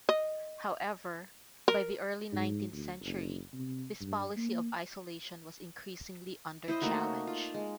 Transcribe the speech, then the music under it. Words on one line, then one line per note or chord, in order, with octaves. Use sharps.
However, by the early nineteenth century, this policy of isolation was increasingly under challenge.
D#5
A#4
G#2
D2
F#1
C3
G2
A#3
E4 C5 D#5
A3 A#3 D#4 F#4
F4
G#3